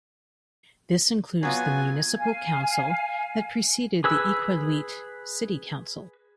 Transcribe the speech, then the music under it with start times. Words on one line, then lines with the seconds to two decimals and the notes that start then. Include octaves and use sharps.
This includes the municipal council that preceded the Iqaluit City Council.
1.43 F#3 B3 F4 G#5
2.17 F5 G#5
4.04 G#4 B4 E6